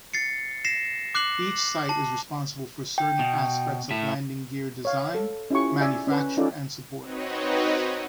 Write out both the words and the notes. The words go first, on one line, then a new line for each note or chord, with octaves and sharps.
Each site is responsible for certain aspects of landing gear design, manufacture and support.
A6 C7 C#7
A#6 C7 E7
D6 F#6 C7 F#7
A5
G5
B2
A2 E5
C#5 F5
A4
C#4 E4 F4 G4 C#6
G#4 D5 E5 G#5
C#4 B4
C#4 D#4 F4 A4 D5
C4 D#4 F#4 B4 C#5 D#5